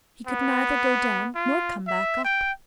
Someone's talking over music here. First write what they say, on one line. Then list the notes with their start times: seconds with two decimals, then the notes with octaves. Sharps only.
He could neither go down nor come back up.
0.27 B3
1.35 F4
1.87 E5
2.24 G5